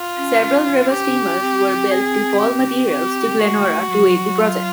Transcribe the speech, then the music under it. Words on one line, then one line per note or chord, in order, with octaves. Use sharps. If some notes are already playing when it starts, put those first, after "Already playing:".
Several river steamers were built to haul materials to Glenora to aid the project.
Already playing: F4
C#4
C#4
G4
C4
G#4
G4
G4
A3 F#4
F#3
F4